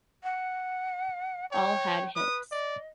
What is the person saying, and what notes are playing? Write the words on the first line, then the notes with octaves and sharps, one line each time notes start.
All had hits.
F#5
C#5 G5
B4 D#6
D5 D#5